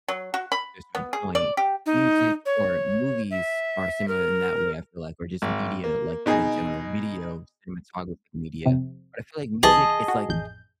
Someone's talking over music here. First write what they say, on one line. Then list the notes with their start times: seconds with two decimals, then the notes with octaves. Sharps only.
to a certain point. Music or movies are similar in that way, I feel like or just media, like at a general video cinematography media. But I feel like music it's like
0.08 F#3
0.34 F#4
0.52 B5
0.95 B3
1.13 G#4
1.35 D5
1.57 G4
1.86 D#4
2.46 C#5
3.31 E5
4.08 A#4
5.42 G#1
5.84 A#3
6.26 B2 D#4 G#4
8.65 F2 C3
9.63 C2 C3 E3 G#4 D#5 A5
10.08 F#4
10.29 A1 F2 G6